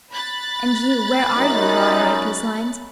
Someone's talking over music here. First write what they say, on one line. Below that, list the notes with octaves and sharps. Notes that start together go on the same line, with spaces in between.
And you, where are you, while I write these lines?
B5 F#6 A6
F#2 D#4